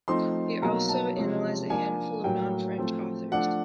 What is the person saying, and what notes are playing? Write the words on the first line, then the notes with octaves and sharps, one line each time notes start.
He also analyzed a handful of non-French authors.
F3 A3 C4 D#4 C6
B2 F#3 A#3 D#4 A#5
A5
C3 F3 G#3 C#4
F3 A#3 D4 G#5
A2 F#3 A#3 G5
F3 A3 C4
F3 A3 D4 F#5